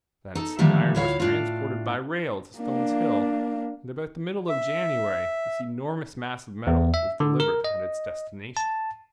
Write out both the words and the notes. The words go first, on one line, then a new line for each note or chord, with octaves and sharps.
Thence the iron was transported by rail to Stones Hill, and about the middle of January this enormous mass of metal was delivered at its destination.
D#4 A4
D3 D#3 F3 G3 A3 A#3
D2 A2 E4 F4 C#5 F5
A2 D4 F4
A#3 D4
E5
E2
E5
D3
A#4
D#5
A5